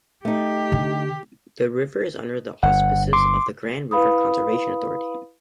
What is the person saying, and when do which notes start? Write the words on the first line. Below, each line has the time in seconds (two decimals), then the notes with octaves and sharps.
The river is under the auspices of the Grand River Conservation Authority.
0.25 A3 D#4 G4
0.72 D3
2.63 G1 F#5
3.13 C6 D6
3.91 E4 B4 F5 B5 D#6